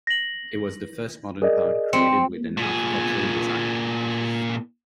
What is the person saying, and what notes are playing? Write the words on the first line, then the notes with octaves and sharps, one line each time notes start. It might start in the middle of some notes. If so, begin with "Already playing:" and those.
It was the first modern park, created with an architectural design.
A#6 F#7
G#4 A#4 D5 D#5
C4 C#7
A#2 G#4